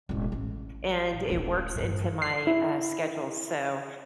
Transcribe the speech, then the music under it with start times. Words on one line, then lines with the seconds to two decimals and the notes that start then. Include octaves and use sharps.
and it works into my, uh, schedule, so,
0.09 E1 A1
0.32 A1
1.28 D1 A1
1.75 G2 A#2
2.22 C7
2.47 E4